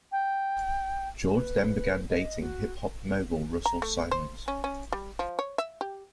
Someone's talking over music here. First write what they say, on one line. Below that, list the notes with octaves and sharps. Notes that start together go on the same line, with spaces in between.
George then began dating hip hop mogul Russell Simmons.
G5
B4
D#5
F#4
A#5
A3
C5
C#4
C#4
G3
F3
C#5
E5
G4